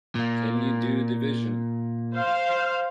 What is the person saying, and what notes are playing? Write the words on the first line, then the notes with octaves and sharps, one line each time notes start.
Can you do division?
A#2 A#3
C5 F5